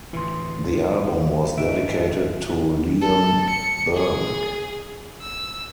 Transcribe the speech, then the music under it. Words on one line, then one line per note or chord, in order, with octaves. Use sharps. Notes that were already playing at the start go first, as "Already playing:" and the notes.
The album was dedicated to Liam Byrne.
D2 A2 C3 E3 B4 C6
G#1 D#5 E5 D7
A4
C#7
G#4
E6